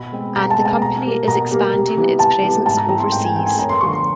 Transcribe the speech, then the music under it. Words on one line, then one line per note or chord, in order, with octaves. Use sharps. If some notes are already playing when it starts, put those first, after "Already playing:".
And the company is expanding its presence overseas.
Already playing: B2 B5
G#3 C4
B2 A#5
A5
G#3 C4
A5
B2 A#5
G3 A#3
B2 A#5
G3 A#3
C3
E3 G3 B3
C3 A5
E3 G3 B3
G#2 A5
A#5
E3 A3 C4 A#5
C6
G#2 G5
G#5
E3 A3 C4 G5
G#5
F#2 A#5
C6
D3 F3 A3 C#6
C6